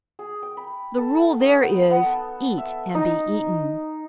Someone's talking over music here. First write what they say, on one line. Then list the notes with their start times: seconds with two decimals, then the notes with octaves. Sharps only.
The rule there is--"Eat and be eaten!".
0.19 G#4
0.43 G5
0.57 B5
0.98 A4
1.18 F#5
1.40 D#4
1.61 B3
1.91 B3
2.03 A4
2.58 E5
2.95 D#4